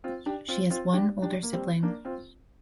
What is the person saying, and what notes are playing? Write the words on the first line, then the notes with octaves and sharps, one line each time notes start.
She has one older sibling.
C4 F4
D4 G4
C4 F4
C4 F4
D4 G4
D4 G4
A#3
G3 C4
A#3 D4
C4 F4